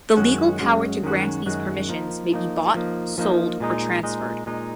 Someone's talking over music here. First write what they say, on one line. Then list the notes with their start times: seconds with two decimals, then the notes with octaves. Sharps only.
The legal power to grant these permissions may be bought, sold or transferred.
0.17 F#2 D#3 G#3 C#4 F#4
0.60 F#2 D#3 G#3 C#4 F#4
1.03 F#2 D#3 G#3 C#4 F#4
1.46 F#2 D#3 G#3 C#4 F#4
1.88 F3 A#3 D#4
2.32 F3 A#3 D#4
2.74 F3 A#3 D#4
3.18 F3 A#3 D#4
3.60 A#2 G#3 D#4
4.03 A#2 G#3 D#4
4.46 A#2 G#3 D#4